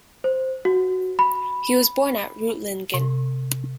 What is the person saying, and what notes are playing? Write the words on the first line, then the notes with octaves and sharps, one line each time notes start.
He was born at Reutlingen.
C5
F#4
B5
C3